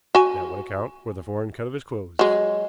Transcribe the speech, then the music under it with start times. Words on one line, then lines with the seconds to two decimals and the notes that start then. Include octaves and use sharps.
That would account for the foreign cut of his clothes.
0.15 F#4 G#5
2.19 F#3 G#3